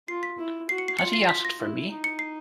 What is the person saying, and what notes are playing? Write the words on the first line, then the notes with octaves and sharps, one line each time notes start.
Has he asked for me?
F4 C7
B6
E4
F#4 C7
C#7
C7
F4 C#7
C7
B6
A#6
E4
D#4
C#7
C7